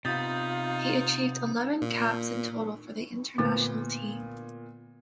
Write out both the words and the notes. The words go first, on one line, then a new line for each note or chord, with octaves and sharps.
He achieved eleven caps in total for the international team.
C3 B3 D#4 F4 D#6 G6 A6
A#2
A#2 D3 A3 B3 A6